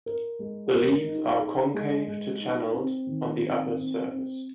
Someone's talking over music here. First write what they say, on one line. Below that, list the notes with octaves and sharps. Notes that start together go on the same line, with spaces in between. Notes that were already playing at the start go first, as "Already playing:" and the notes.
The leaves are concave to channelled on the upper surface.
A#4
G#3
A#4
D#4
G#4
G#3
G#3
D#4
C4
D#3
C4
C4
C4